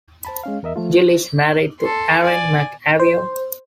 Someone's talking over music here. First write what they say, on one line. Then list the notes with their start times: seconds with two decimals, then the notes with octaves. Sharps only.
Gil is married to Ariane MacAvyoy.
0.25 C5 A5 B5
0.43 G#3 C#4 F5
0.63 E2 A#4 D#5 E5
0.76 F3 A3 F4
1.80 A4 C6
2.23 D5 G#5
3.00 C5